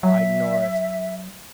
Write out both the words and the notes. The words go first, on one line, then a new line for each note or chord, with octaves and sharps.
I ignore it.
F#3 E5